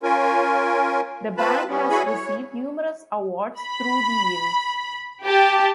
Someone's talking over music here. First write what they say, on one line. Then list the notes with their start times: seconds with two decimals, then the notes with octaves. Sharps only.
The band has received numerous awards through the years.
0.03 C#4 F4 A#4 G#5
1.37 C4 F4 B4 A5 B5
1.69 G3 B3 C#4
1.90 E4 F#4 G#4 C#5 G#5 B5
2.06 C#5
3.61 B5
5.23 G4 A5